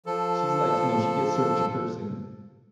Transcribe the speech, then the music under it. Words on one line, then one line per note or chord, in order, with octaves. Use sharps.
she's like you know, she gets her chirps in,
F3 A4